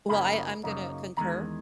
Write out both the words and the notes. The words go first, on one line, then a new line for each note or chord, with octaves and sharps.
Well, I I'm gonna concur.
F#2 C#3 F#3 A#3 D#4 B5
F#2 C#3 F#3 A#3 D#4
E2 D#3 G#3 A#5